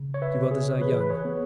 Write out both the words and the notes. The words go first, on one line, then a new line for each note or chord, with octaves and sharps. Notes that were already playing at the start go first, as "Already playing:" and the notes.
You others are young.
Already playing: C#3
C#5
B4 E5
C#3
G#4 C#5
E3 B4
B4
G#4 C#5
B3